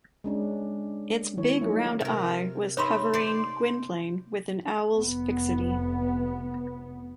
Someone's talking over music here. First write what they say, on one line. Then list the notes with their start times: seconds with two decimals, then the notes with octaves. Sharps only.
Its big round eye was covering Gwynplaine with an owl’s fixity.
0.24 G#3 C#4 D4
1.37 D#3 E4 C#5
1.61 F3 F#3 A3 A#3 D#4
2.00 C3 A#4
2.77 D#4 C#5 D#5 E5 B5 C6
3.13 C5 D5
4.94 F1 B3